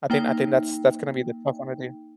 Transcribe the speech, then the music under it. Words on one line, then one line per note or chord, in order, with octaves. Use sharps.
I think I think that's that's gonna be the tough one with you.
A#3 D#4 G5